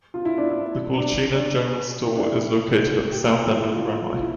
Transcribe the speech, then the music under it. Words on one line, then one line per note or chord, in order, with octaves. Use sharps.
The Quilchena General Store is located at the south end of the runway.
F4
E4
D4
E4
D4
D4
E4
D4
E4
G4
E4
F4
E4
F4
F4
E4